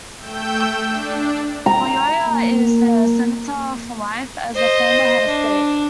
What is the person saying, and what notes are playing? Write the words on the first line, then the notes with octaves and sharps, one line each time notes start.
Buyoya is a Senator for life as a former head of state.
A3 G5 E6 G6
D4
A#5
A#3
C5 D#5
D4